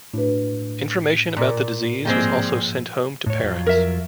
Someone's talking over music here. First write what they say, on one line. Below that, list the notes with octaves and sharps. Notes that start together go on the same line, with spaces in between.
Information about the disease was also sent home to parents.
A2 D4 F#4 B4
A#2 A#4 D5
G#2 F3 G3 G#3 A#3 C4
A2 C#5
F2 F#3 F4
A#4 E5